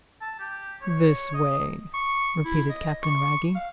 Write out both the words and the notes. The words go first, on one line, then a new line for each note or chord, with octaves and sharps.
"This way," repeated Captain Wragge.
A5
G4
C#5
D#5
C#6
E4
D#5
C#6
F5